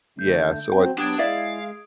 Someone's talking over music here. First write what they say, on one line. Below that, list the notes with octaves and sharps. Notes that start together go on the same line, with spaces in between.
yeah, so I
D3 A3 G6
F#3 C4 G5
F#3 B3 D4 G4 D#6 G#6 D7
G#3 E4 D5 E5 F5